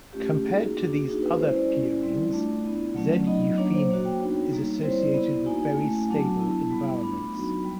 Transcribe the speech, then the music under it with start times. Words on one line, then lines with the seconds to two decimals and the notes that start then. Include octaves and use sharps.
Compared to these other pierines, "Z. eupheme" is associated with very stable environments.
0.13 A3 C#4 F4 G4
0.45 A#3 D#4 F#4 G#4
0.76 A#3 D4 F#4
1.08 A#3 D#4 F#4 G#4
1.23 B4
1.39 G#3 C#4 E4 C5
1.55 D5
1.70 G#3 C#4 E4
2.01 G3 C4 E4 D5
2.33 A3 D4 F4
2.64 B3 E4
2.95 F#3 A3 C#4 F4
3.27 F#3 B3 D#4 D#5
3.42 D#5
3.58 F#3 A#3 D4 C#5
3.73 C5
3.90 A#3 D4 F#4 C#5
4.05 G5
4.20 B3 D#4 F#4 C#5
4.52 G3 A#3 D#4
4.83 G3 C4 E4 C5
4.98 D5
5.14 B3 E4
5.46 A#3 D#4 F#4 G#5
5.77 A3 C#4 E4
6.08 F#3 B3 D4 F#4 A5
6.39 B3 E4
6.71 G3 B3 E4 B5
7.02 A3 D4 F4 B5
7.33 F#3 B3 D#4 F#4
7.65 G3